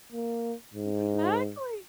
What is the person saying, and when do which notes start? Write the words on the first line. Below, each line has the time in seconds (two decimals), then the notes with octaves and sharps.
M exactly.
0.12 A#3
0.74 G#2